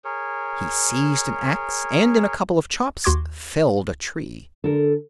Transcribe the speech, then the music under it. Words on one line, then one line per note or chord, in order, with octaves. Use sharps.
He seized an axe and in a couple of chops felled a tree.
G#4 A#4 C#5
D#2 F#4 C6 D6 G#6
D3 A4 A#4